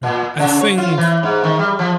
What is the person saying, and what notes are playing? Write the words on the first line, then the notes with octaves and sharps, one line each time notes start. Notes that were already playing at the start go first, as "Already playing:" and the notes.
Hmm, I think
A#2
C#3
C#5
F4
E3
G#2
D#3
G3
F3